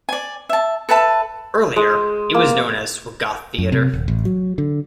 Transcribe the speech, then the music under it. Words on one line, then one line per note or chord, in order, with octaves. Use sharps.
Earlier it was known as Swagath theater.
D5 G#5
E5 A5
A4 B4 E5 A5
G#3
A#3
F#2
C3
D#1
A1
F#3
D3